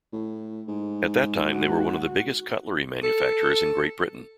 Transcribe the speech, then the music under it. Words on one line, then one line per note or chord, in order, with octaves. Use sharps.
At that time they were one of the biggest cutlery manufacturers in Great Britain.
A2
G#2
F#4
A4